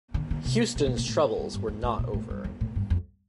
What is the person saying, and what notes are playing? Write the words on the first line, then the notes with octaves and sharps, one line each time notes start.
"Houston"'s troubles were not over.
D3
D3
C3
C3
A2
A#2
A2
G2
G2
F2
A2
A#2
A2
G2
F2
A2
G2
F2